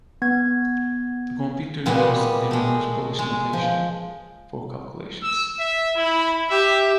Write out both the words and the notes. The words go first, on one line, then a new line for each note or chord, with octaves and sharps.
The computer used the Reverse Polish Notation for calculations.
B3 G#6
A#2 G3 G#3 B3 D#5
G#3 A3
G#3
F3
E6
E5
E4 B5
G4 E5